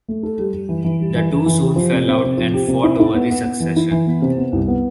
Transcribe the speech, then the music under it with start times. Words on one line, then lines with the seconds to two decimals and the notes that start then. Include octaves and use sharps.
The two soon fell out and fought over the succession.
0.08 A3
0.23 A4
0.38 G3
0.54 G3
0.69 E3
0.84 E3
1.00 G3
1.16 E3
1.31 E3
1.46 E3
1.62 G4
1.76 F3
1.92 C3
2.08 C4
2.23 C3
2.37 F3
2.54 G4
2.68 C3
2.83 E4
3.00 E4
3.14 B3
3.30 B3
3.45 B3
3.60 E3
3.76 E4
3.91 E3
4.07 B3
4.22 C3
4.37 B3
4.53 C2
4.68 B3